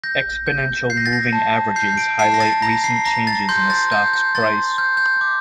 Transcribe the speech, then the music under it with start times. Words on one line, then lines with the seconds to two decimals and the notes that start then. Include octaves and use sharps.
Exponential moving averages highlight recent changes in a stock's price.
0.04 G6 A#6
0.47 G6
0.90 G6 C7
0.97 A#6
1.06 A6
1.13 A#6
1.33 A5
1.76 G6 C7
1.97 D7
2.19 A5 C7
2.34 A#6
2.40 A6
2.62 A#5 A#6
2.84 C7
3.05 A#5 A#6
3.27 A6
3.49 C6 G6
3.70 A6
3.92 G6
4.13 G6
4.35 C6 A6
4.78 F6 G6
4.97 G6
5.21 D6